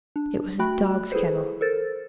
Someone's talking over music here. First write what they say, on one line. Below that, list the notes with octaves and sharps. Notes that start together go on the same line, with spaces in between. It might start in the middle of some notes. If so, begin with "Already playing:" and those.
It was a dog's kennel.
D4
A3 F#4 G5 B5 F#6
E4 G#4 A4 B4 C5
A4 A#4 C5 A6